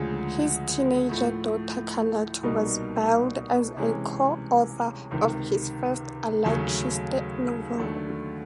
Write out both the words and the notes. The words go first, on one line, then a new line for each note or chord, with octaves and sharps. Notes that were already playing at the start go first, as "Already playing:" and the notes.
His teenage daughter Carlota was billed as a co-author of his first Alatriste novel.
Already playing: D2 C#3 F3 G#3
A2 F3 A3
C2 B2 G3 A#3 D#4
C3 E3 G#3 C#4
C#2 C3 D#3
D#2 C#3 F#3 A3
D#2 D3 F#3 A3